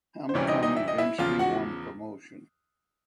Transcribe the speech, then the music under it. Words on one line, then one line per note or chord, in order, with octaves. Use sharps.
Hamkam eventually won promotion.
C5
D2 C3 E3 G3 C4 C#4 C#5
D#4 D#5
D#4 D#5
E5
D#5
E4 E5
E2 C#3 F3 F4 F5
F#4 F#5